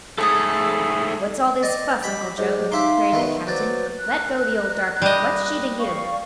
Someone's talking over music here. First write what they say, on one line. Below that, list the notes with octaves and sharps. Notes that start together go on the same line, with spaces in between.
"What's all this fuss, Uncle Joe?" queried the captain. "Let go the old darkie; what's she to you?"
G#2 A3 C4 G#4 A4 C#5 D#6
D5 D#5
G4 D#5 G5 B5
G#2 F#3 G4 C5
D#4 G4 E5 F5 C6 D6
D#3 A3 B3
F#3 B4 C5 D5
A#4 F#6
G3 D#5
D5 F5 C#6